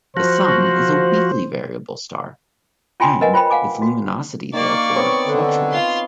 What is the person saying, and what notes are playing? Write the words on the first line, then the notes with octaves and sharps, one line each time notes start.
The Sun is a weakly variable star, and its luminosity therefore fluctuates.
F3 F#4 C5
C#4 F4 G5 G#5 C6
A#4 B4 D#5 F#5 G#5
F4 C5 G5 B5
F5 F#5 G#5 D6
F#4
D#3 A#3 D5 C#6
B3 C4 C#5
D3
F4 C6